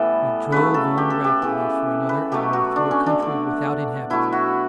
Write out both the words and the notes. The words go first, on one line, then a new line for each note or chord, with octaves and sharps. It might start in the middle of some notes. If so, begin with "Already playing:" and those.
We drove on rapidly for another hour through a country without inhabitants.
Already playing: A2 E3 G3 A3 B3 E4 A4
C#3 F#3 A3 B4
A4
G4
A4
G4
C#3 E3 B3
B4
B2 F#3 A3 G4
F#4
D4
C#4
D4
D3 A3
B2 F#3 A3 E4
F#4